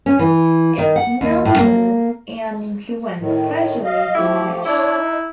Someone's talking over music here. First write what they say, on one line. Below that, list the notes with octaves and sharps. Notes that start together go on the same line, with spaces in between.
Its numbers and influence gradually diminished.
C#4
E3
D#3
F#5
D#2
A2
A#3
A2 D#3
D#5 F5
F3 A3 E4 G4
D4 E4 C#5 D5
D#4